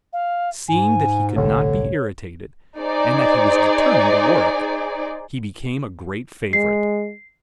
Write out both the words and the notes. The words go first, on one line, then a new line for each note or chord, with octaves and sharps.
Seeing that he could not be irritated, and that he was determined to work, he became a great favorite.
F5
G#2 G#5
G1 C2 A2 D3 C#5
D#4 G#4 C5 D5
G#3 C7